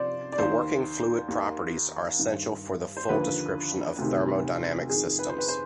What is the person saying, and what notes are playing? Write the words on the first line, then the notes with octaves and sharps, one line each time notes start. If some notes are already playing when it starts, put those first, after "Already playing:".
The working fluid properties are essential for the full description of thermodynamic systems.
Already playing: C3 F3 C5 D5
D5
D#2 D#3 C5
D#2 D#3
G2 D#3
C5
D#2 D3 F3 B4
D2 C3 D#3
F2 D#3 G#4
B4
C5
B4
C5